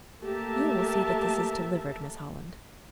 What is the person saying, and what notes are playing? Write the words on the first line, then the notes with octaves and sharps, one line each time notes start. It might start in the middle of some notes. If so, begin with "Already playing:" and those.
"You will see that this is delivered, Miss Holland."
A3 A#3 G4 A#4 E5 A5